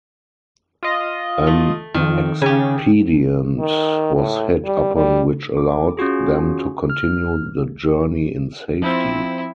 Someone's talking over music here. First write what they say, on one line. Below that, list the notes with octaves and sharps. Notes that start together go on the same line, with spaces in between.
An expedient was hit upon which allowed them to continue the journey in safety.
F4 D#5
A3
F2 D#3
C#3 G4 G#5
D#3
A2
G3
G3
D6
C#4 F4 F#4 G#4
F6
F3 C4 E4